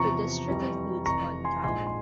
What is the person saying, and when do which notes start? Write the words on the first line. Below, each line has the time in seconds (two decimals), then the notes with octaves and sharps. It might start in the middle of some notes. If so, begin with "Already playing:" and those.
The district includes one town.
Already playing: E2 C3 F3 A#5 C#6
0.48 F2 E3 G3
1.06 F1 F2 E3 A#5 C#6
1.44 G#5 C6
1.64 A#1 G#2 F3 G#3 G#5 C6
1.86 C6